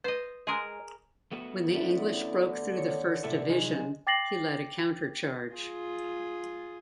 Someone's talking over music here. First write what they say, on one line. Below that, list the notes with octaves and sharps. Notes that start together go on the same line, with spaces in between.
When the English broke through the first division, he led a countercharge.
B4 C5 D#5
G#3 G#4 A#4
A3 B3 F#4
D3 C#4 D4 E4
D#3 C#5
A2 C3 A4 D5 E5
F#3 G#3 D#4 G#5
G5 D6 A6 A#6 C7 F#7
F4 G#4